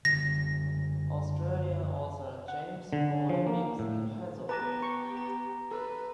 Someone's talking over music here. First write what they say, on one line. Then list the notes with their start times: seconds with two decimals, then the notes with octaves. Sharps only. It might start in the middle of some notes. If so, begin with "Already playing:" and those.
Australian author James Roy lives in Hazelbrook.
0.05 F#1 D3 A#6
2.48 F#5
2.93 D3
3.29 F3
3.47 A#3
3.79 A2
4.49 B3 G4 B4 A5 A#5 D6 A#6
4.83 C#6
5.17 A#5
5.71 A4 B4